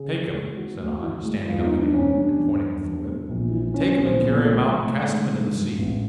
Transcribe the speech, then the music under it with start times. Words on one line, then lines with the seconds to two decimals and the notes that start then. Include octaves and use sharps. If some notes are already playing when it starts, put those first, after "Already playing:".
"Take him," said I, standing up again and pointing with the whip; "take him, and carry him out and cast him into the sea."
Already playing: C#3 G#4
0.12 E3
0.34 G#3
0.57 E3 F#4
0.80 D2
1.03 E3
1.25 G#3
1.48 E2 F4
1.63 D#4
1.70 E2
1.79 D4
1.94 E2 C#4
2.15 G3 D4
2.38 E2 D4
2.61 E2
2.83 E2
3.06 G3
3.29 A#1
3.51 E3
3.74 E3 C#4
3.87 C#4
3.97 A#1 C4
4.19 A#1 B3
4.34 A#3
4.43 E3
4.50 G#3
4.65 A2 G#3
4.80 A3
4.88 A2
4.95 G#3
5.10 D#3
5.33 G2
5.56 G2
5.78 A1